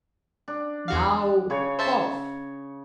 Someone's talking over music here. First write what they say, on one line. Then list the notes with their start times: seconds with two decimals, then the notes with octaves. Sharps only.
"Now cough."
0.48 D4
0.88 E2 F#4 F5
1.50 C#3 C#5
1.79 C5 E5 A5